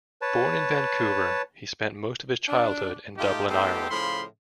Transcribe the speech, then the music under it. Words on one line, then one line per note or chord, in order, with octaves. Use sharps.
Born in Vancouver, he spent most of this childhood in Dublin, Ireland.
B4 C#5 A5
D4
A3 D#4 F4 G4
A3 B3 C4 D#4 G4
A2 C#3 F3 B5 C6